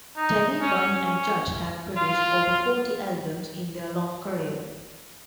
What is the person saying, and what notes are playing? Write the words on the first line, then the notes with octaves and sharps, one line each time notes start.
Tabby, Bunny and Judge have produced over forty albums in their long career.
D#4
C#4
C#4
F4